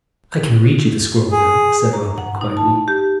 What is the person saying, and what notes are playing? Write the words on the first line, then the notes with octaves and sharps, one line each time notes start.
"I can read you the scroll, Will," said Robin, quietly.
G#4
A#5
F#5
D#4
A5
G4